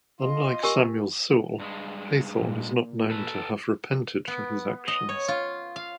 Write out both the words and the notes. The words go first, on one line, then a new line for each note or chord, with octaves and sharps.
Unlike Samuel Sewall, Hathorne is not known to have repented for his actions.
F4 D#5 C6
G4 A#4 G#5
G2 G#3
A#2
A4 B4
B3
D#5
C#5
F4
F5